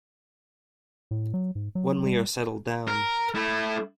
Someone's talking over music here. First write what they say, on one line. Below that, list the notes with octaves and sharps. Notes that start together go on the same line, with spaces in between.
When we are settled down.
A2
F#3
G#2
F#3
G3
A#4
A3 E4